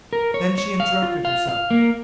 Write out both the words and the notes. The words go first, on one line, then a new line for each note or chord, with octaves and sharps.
Then she interrupted herself.
A#4
C#5
C#5
F5
F4
F5
F5
A#3